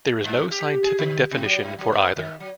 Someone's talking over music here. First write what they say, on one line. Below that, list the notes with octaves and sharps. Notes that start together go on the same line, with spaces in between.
There is no scientific definition for either.
G2
G4
G#4
D3
B2
F#3
G#2
F#3
B3
D#3
F#3